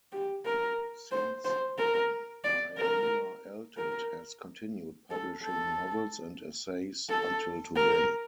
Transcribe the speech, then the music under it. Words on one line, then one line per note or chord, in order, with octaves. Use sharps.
Since then Diamela Eltit has continued publishing novels and essays until today.
G4
A#4
C5
C5
A#4
D5
A#4
A#4
A4
A4
A4
A#4